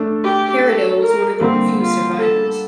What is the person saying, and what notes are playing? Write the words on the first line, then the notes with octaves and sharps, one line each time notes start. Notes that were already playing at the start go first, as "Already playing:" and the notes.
Peredo was one of the few survivors.
Already playing: A3 D4 A4
G4
A4
A#4
D3 G3 A#3 C4
F4
A4